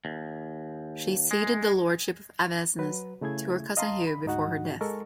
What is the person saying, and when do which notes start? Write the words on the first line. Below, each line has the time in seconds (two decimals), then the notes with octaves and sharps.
She ceded the lordship of Avesnes to her cousin Hugh before her death.
0.05 D#2
1.31 G#3
2.79 F#3 B4
3.21 C#3 A3 E4 G#4 G#6
3.77 D#5 F5 A5 A#5 C6 D#6
4.07 B5
4.25 D2 G#2 D#4 F#4 F#5
4.81 G#3 A4 A#4 C#6